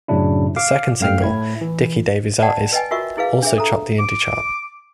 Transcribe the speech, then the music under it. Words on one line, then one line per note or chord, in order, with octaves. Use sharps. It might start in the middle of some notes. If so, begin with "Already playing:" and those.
The second single, "Dickie Davies Eyes", also topped the indie chart.
F#2 A2 C#3 F#3 D4 E4
F5 D6
F#2 A3 F5 G5 F6
A2 E4 G#6
E3
D5 F#5 G5 A5
B4 D#5 G5 G#5
F4 F#4 A#4 D#5 E5 C#6
E4 G#4 B4 F5
D4 G#4 E5
A4 A#5
D6